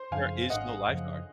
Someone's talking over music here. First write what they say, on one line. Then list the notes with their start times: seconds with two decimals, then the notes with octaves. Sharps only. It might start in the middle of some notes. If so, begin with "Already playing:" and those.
There is no lifeguard.
Already playing: C5
0.11 F#2 C#3 F3 F5 G#5
0.50 G#1 D#5 F#5
0.88 F#2 C#3 F3